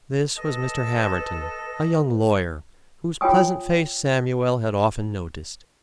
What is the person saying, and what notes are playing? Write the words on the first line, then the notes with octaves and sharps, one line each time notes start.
This was Mr. Hamerton, a young lawyer, whose pleasant face Samuel had often noticed.
A4 B4 D#5
F4 C#5 G5 G#5 D#6